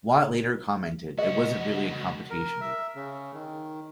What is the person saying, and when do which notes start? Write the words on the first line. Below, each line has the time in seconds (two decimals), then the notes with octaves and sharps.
Watt later commented: It wasn't really a competition even.
1.18 C#2 F#4 D#5
2.30 A#4
2.61 E5
2.96 C#3
3.34 D#3